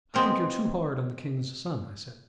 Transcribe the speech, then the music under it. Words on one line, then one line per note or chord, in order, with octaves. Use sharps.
"I think you're too hard on the king's son," I said.
F3 G#3 B3 C4 G4 A#4